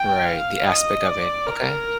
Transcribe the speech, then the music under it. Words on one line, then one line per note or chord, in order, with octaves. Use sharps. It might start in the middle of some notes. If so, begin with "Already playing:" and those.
Right, the aspect of it. Okay.
Already playing: G5
F5
D#5
D5
A#4